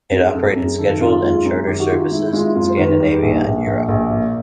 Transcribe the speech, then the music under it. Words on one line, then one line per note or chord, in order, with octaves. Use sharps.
It operated scheduled and charter services in Scandinavia and Europe.
F#2 G#4
F#2 A4
F#2 G#4
D#3 A4
F#2 F4
G#3 F4
F#2
D#3 G4
F#4
D#3 F4
G#3 E4
E4
G#3 F4
F#2 F4
C5
D#3 B4
G3
A#1
A#1
A#1
A#1
A#2